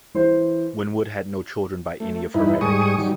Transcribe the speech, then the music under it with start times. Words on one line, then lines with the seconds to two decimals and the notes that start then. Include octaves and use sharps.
Winwood had no children by any of her marriages.
0.14 E3 C5
2.00 A3
2.34 G2 D#4 E4 B4
2.61 G#2 G3 G#4 C#6 D#6
2.98 D#3 F#3 G3